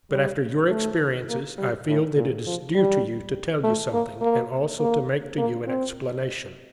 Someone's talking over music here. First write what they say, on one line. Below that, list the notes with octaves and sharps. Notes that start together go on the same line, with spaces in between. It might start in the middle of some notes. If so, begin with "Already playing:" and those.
But after your experiences I feel that it is due to you to tell you something, and also to make to you an explanation.
G3
A3
A#3
G3
A2
A#2
F3
G3
A3
A#3
A#3
A#3
A#3
C4